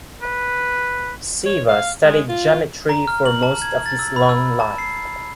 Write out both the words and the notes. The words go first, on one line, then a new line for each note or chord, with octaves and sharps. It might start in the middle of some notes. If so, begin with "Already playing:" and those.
Ceva studied geometry for most of his long life.
B4
C#5
F5
G#3
F4
A#5
F6
F#7
A5
G#6
A6
E6
B5
E6
A5
C7